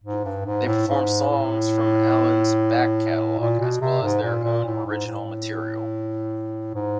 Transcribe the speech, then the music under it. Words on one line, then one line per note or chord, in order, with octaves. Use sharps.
They perform songs from Allin's back catalog as well as their own original material.
G#2
G2
G#2
A2
G#2
A2
A#2
B2
C3
G#2
A#2
A#2
A2
G#2
A2
G#2